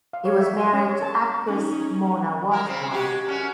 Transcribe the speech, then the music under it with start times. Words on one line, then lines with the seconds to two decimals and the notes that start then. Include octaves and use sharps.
He was married to actress Mona Washbourne.
0.13 F5
0.25 C#5
0.41 E5
0.58 G#5
0.73 C#4
0.89 C#5
1.02 A5
1.47 C#4 D#4
2.51 E4 A#4
2.66 C#3 C4
2.91 G#3 F#4 G4
3.27 F#2 C#4 F#4